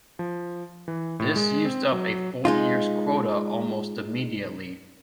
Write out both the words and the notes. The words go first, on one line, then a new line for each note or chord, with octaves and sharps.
This used up a full year's quota almost immediately.
F3
E3
A2
G#3
C4
F#3
G#3 D#4 F4